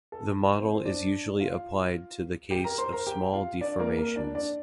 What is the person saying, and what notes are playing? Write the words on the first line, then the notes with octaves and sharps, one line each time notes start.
The model is usually applied to the case of small deformations.
A4
C4 C5
C5
D4 D5
F4 F5
G4 G5
A#4 A#5
C5 C6
A#4 A#5
G4 G5
F4 F5
D4 D5
A#3 A#4
A#3 A#4
D4 D5
D4 D5